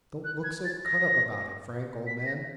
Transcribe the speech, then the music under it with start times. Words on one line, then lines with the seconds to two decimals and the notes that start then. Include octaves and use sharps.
Don't look so cut up about it, Frank, old man.
0.24 F#6
0.44 G#6
0.65 A6
0.85 A#6
2.07 B6
2.26 A#6